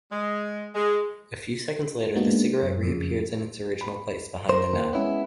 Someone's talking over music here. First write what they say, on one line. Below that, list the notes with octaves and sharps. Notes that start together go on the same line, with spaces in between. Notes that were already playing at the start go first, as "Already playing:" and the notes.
A few seconds later the cigarette re-appears in its original place, behind the nut.
G#3
G#3
G#3 A#3 B3 D4 D#4 F#4
F#2
F2 C#3
B5
A#4 C5
D#2
G#3 B3 C#4 E4 C#5